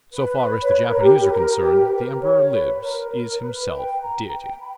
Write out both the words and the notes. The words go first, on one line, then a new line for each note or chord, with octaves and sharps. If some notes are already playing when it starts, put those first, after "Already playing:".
So far as the Japanese are concerned, the Emperor lives, is himself deity.
B4
C#5
B4
A#4
G4
B4
A#4
A#4
G4
B4
A#4
C#5
B4
A#4
A#4
B4
G5
A#5
G5
B5